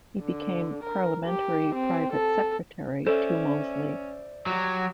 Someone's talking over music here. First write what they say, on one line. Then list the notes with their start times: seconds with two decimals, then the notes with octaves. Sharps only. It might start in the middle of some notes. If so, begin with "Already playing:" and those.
He became Parliamentary Private Secretary to Mosley.
0.22 D3
0.84 A#4
1.26 G4
1.75 C4
2.13 A4
3.07 C#4 A4 C5 D5 E5
4.46 F#3 G4